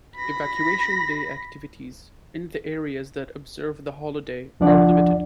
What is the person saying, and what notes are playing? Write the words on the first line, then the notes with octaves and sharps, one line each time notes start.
Evacuation Day activities in the areas that observe the holiday are limited.
B5 A#6
C#2 F3 D4 D5 F#5